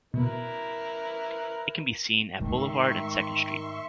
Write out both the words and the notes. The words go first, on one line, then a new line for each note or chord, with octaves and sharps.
It can be seen at Boulevard and Second Street.
B2 E4 A#4 B4
G#2 D#3 G#3 A3 E5 C6 C#6